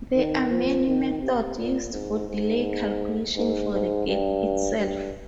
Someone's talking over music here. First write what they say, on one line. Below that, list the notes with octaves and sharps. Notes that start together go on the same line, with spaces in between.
There are many methods used for delay calculation for the gate itself.
D#3
F3
D#3
C3
A#2
G#2
G#2
G#2
G#2
G2
G2